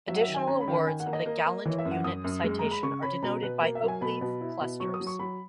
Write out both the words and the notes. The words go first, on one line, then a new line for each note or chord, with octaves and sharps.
Additional awards of the Gallant Unit Citation are denoted by oak leaf clusters.
F#3 E5
F#5
E5
D#3
G#5
C#4 A#5
B5
D#3
B5
D#3 G#5
F#5
A#3
D#5
A#3
A#3
E3 C#5
E5
F#2
F#5
F#2 D#6
F#2
G#3
G#3 A#5
B5
C#3 C#6
C#4 B5
B2 A#5
B2 B4
A#3
E5
F#3
G#5
B2 B5
B2
E4
B2
F#3 C#6
D#6
F#3
C#6
F#3 B5